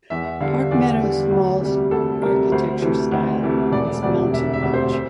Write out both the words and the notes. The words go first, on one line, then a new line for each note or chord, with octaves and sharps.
Park Meadows Mall's architecture style is mountain lodge.
E2 E5
D3 G3 F5
E2 D5
D3 G3
D2
C3 G3
D2 A4
C3 G3 A#4
D2 C5
C3 E3 A3
D2
C3 E3 A3
E1 D5
D2 C3 D5
E1 E5
E5
D2 C3
C5
E5